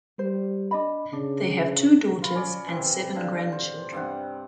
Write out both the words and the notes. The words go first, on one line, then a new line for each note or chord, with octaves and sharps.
They have two daughters and seven grandchildren.
G3 C5
D4 D#5 B5
C#3 D4
F4 B5
C#4 D5
C3 E3
D3 F5
C5
G2 C3 F#5